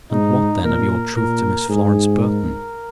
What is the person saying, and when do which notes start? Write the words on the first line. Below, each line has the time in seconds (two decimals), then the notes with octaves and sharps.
"And, what, then, of your truth to Miss Florence Burton?"
0.12 G#2 D#4
0.64 A#2 A#4
1.16 A#2 A#4
1.69 G#2 G#4
2.21 A#4